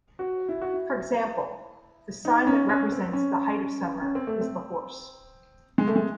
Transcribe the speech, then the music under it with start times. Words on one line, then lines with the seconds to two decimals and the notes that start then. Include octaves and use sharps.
For example, the sign that represents the height of summer is the horse.
0.19 F#4
0.49 E4
0.62 F#4
0.74 E4
2.25 D#4
2.47 C#4
2.69 C#4
2.92 C4
3.13 C#4
4.02 C#4
4.15 C4
4.27 A3
4.41 C4
5.78 G#3
5.88 A3
5.96 G#3